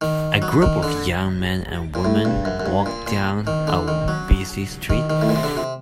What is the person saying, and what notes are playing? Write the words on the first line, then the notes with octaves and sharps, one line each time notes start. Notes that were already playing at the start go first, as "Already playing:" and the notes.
A group of young men and women walk down a busy street.
D#3
F#3
D#3
D3
A#2
A2
G2
F#2
F#2
G2
A#2
A#2
D#3
D3
D#3
F#3
D#3
D#3
A2
A#2
C3
D3
C3